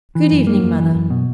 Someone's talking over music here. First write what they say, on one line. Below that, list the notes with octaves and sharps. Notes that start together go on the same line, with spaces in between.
'Good evening, Mother.'
E3
F#2
A#3
F#2
E3
F#2
B2